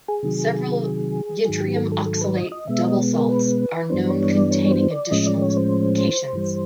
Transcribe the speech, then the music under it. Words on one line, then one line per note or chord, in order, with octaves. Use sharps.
Several yttrium oxalate double salts are known containing additional cations.
G#4
C3 D#3 F#3
A4
G#2 D#3 F#3 G#4
G4
A4
A4
A4
B4
D#5
D#5
B2 G#3 B3 E5
D#5
A#4
B4
G2 E3 G3 B3 D4 C5
C#5
D5
C#5
C5
D5
A2 F3 G#3 C#4 D#5
D5
C#5
C5
G2 E3 G3